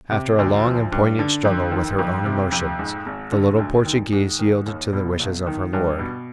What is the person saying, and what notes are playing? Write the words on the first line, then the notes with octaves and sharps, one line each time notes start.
After a long and poignant struggle with her own emotions the little Portuguese yielded to the wishes of her lord.
C3
D2
F3
G2
D3
F2
D#3
F2
C3
F2
G#2
G#1
D3
D2
D#3
G#2
D#3
D#2
B2
B1
D#3
G2
B2